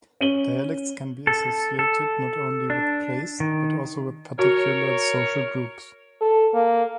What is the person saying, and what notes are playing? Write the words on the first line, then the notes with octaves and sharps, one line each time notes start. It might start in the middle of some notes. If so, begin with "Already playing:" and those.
Dialects can be associated not only with place, but also with particular social groups.
C#4 D#7 F#7 G7
A4
A4
D4
D#3
F#4 A#4 C#5
A4
A#3